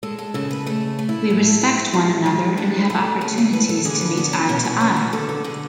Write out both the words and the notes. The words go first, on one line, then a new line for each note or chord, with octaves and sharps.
We respect one another and have opportunities to meet eye-to-eye.
G#3 A4
A4
C#3 A4
B4
A3 A4
A3
E4
A2
A2
G#3
G#3
A3 D4
A3 A4
C#3 G#4
G#4
E3 B4
A4
D3 G#4
B4
B3 A4
C#4
B2 C#4
B3
B3 C#4
F#4
D3 A4
A4
D3 G#4